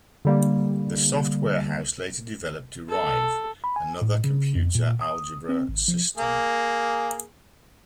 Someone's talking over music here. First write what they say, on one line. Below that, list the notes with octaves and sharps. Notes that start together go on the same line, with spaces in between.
The Soft Warehouse later developed Derive, another computer algebra system.
D3 G3 A#3
A4
B5
G#5
A2
C#3
F2
A#2
D#6
C4
G#1
F3
A#3 G#4